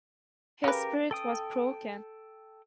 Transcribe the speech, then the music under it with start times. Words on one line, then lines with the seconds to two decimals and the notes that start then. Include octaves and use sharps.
Her spirit was broken.
0.64 C#3 G4 A#4 B4
1.11 A4 G5 D#6